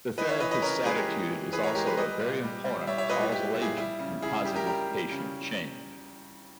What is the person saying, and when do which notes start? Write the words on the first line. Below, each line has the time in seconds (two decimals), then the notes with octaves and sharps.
The therapist's attitude is also a very important causal agent in positive patient change.
0.18 E3 B4 D#5
0.29 C#5 E5
0.40 E3 B4 D#5
0.51 B4 D#5
0.62 C#3 A#4 C#5
0.85 G#3 G#4 B4
0.96 G4 A#4
1.08 E3
1.30 E3
1.53 E3 G#4 B4
1.63 A#4 C#5
1.75 G#3 G4 A#4
1.86 G#4 B4
1.97 G3 B4 D#5
2.19 A#2
2.43 G3
2.65 G3
2.87 G3 C#5 E5
2.98 C#5 E5
3.10 A#2 B4 D#5
3.21 E4
3.32 A#2 G4
3.54 A#2
3.62 E4 G#4
3.77 G3 E4
3.99 C#3
4.22 C#3 E4 G#4
4.33 E4
4.44 G3 G4
4.55 G4 A#4
4.67 G3 G4 A#4
4.90 G3
5.12 C#3